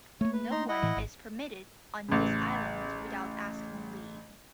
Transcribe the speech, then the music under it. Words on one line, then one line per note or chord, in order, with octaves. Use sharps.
No one is permitted on this island without asking leave.
A3 A#3 C#5
B4
D#4 A#5 C6
E4 D#5 F#5
A2 E3
G#1
A1 C#3